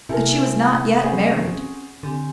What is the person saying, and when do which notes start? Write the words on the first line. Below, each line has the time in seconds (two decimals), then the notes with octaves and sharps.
But she was not yet married.
0.09 C3 E4 A4 A#4 G#5
1.04 C4 C#4 G#4 C5 F#5
2.03 D3 C4 G4 G#5